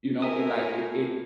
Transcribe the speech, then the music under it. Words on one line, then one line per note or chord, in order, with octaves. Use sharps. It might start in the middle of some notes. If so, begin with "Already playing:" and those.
You know, it like it it
A2 A#4 E5 G#5 D#6